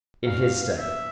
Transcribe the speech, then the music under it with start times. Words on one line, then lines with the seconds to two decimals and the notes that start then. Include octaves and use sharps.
In his day!...
0.25 A#2 F#3 B3 D4 F#4 F5
0.79 E5